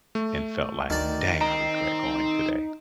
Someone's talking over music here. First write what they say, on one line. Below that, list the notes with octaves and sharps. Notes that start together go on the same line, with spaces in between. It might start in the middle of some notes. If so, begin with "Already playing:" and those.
and felt like, "Dang, I regret going today."
A3
D2 D#3 D5
C4 D#4 A#5